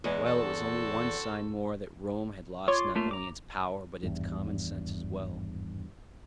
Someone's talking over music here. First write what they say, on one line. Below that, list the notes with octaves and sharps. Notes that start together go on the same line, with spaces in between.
Well, it was only one sign more that Rome had lost not only its power, but its common sense as well.
E2 E3 G#3
C4 F#4 A4
F4 C#5 C6 D6
A3 A#3 F4
A#5 D6
G#1 E2 G2